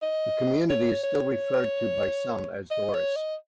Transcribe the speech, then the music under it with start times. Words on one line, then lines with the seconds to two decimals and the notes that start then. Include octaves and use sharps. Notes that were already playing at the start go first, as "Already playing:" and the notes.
The community is still referred to by some as Dorris.
0.02 D#5
0.70 C#5
1.03 C#5
2.71 D#5
2.94 C#5
3.16 D#5